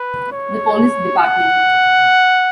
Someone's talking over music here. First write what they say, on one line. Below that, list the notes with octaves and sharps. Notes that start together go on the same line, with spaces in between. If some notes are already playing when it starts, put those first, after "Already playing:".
The police dept.
Already playing: B4
C#5
F#5